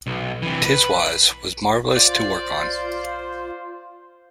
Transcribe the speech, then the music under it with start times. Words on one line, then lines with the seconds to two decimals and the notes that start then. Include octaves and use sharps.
"Tiswas" was marvellous to work on.
0.07 B1
0.42 C3 E3
0.65 B4
1.97 F4 C5 D5